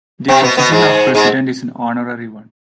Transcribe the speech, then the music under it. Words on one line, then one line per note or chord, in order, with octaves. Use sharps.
The position of President is an honorary one.
C3 C4
B2 B3
B2 B3
G#2 G#3
G#2 G#3